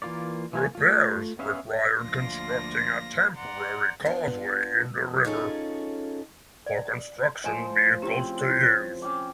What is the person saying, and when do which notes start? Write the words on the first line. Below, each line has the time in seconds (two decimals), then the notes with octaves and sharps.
Repairs required constructing a temporary causeway in the river for construction vehicles to use.
0.02 E3 A#3 F4 A#4 D5
0.53 E3 A#3 G#5
0.75 A3 F4
1.39 B3 C#4 E5 F5
1.98 D2 F3 A#3 F4 D5 A#6
3.33 D5 F#5 A#5 C6
4.05 B3 D4 F4
5.25 C#4 D#4 F4 G#4 A4 C#5
6.66 D5
7.44 A2 F3 D#5 G#5 A#5
8.02 C#3 C4 E4 G4 A#5
8.50 E4
9.02 C#4 G5 D6